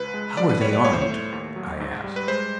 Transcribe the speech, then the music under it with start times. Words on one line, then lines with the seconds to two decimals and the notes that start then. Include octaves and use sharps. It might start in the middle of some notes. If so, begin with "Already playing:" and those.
"How are they armed?" I asked.
Already playing: C#2 B4
0.14 G#3
0.37 F#2 D5
0.49 B4
0.61 G3 C#5
0.73 D5
0.84 A2 C#5
0.93 C5
1.01 C#5
1.08 A3
1.32 D#2
1.56 F#3
1.80 G#2
2.04 G3
2.16 B4
2.28 G#3 C5